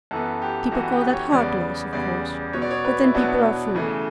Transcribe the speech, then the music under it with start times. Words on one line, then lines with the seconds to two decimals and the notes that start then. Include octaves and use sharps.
People call that heartless, of course; but then people are fools.
0.11 F#2 E3 B3 A4
0.42 G4
0.72 F#2 E3 B3 F#4
0.92 G4
1.13 C#5
1.32 E2 C#3 G3 B3 D5
1.93 E2 C#3 G3 B3 D5
2.53 B2 F#3 B3 C#5
2.62 D5
2.71 C#5
2.85 B4
3.04 E4
3.14 B2 F#3 B3 D4
3.75 C#3 E3 A3